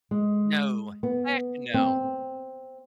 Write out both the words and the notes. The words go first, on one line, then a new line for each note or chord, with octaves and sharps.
No. Heck no.
G#3
B3
C4